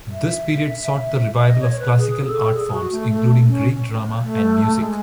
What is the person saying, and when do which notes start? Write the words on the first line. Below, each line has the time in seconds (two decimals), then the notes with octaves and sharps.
This period sought the revival of classical art forms, including Greek drama and music.
0.12 E5
1.43 D#5
1.61 C#5
1.71 C#5
1.79 B4
1.98 G#4
2.26 A4
2.54 G#4
2.73 F#4
2.92 A3
3.10 A3
3.47 C#4
4.22 A3
4.78 G#3